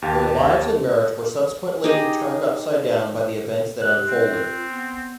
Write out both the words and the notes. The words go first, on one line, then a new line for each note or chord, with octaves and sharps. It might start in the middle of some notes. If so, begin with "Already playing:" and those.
Their lives and marriage were subsequently turned upside down by the events that unfolded.
D#2 G4 F5 A6
D#4 G4 G#4 D#5
G4 F#6
A3 C4
F4
B3